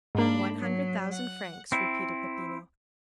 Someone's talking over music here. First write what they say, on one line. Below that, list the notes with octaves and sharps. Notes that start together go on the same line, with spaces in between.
"One hundred thousand francs," repeated Peppino.
G#2 A#3 D4 B5
F#3
F#5
C4 E4